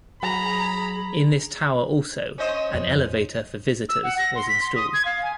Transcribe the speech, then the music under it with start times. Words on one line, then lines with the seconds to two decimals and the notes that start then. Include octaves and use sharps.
In this tower also an elevator for visitors was installed.
0.23 F#3 G#4 A#5 B5
2.38 C#4 C5 D#5
2.74 F2
3.89 E6
4.03 F#5
4.18 A#6
4.36 C6
4.48 B6
4.62 C6
4.76 D#6
4.94 G#6
5.05 F5
5.22 G#5